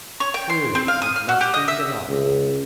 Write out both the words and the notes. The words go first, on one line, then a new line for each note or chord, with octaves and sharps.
Truly it must be delightful.
C#5
G5
C6
C4
F5
D#6
F6
F#4
G4
D#5
E5
C#2